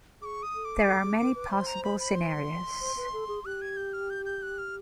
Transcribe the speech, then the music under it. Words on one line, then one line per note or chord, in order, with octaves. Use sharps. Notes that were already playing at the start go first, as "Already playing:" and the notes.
There are many possible scenarios.
G#4 C#6 D6
D#6
A4
D6
A4
G#4
A#4
B4
C5 C6
A#5
B5
B5
C6
C5
B4
A4
G#4
G4 F#6
G#6
G6
F6
G6
G6
F#6
F6